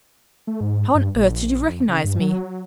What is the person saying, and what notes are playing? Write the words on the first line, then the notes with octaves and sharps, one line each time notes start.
How on earth did you recognise me?'
A3
G#2
G2
A#1
F2
C#3
G2
F#3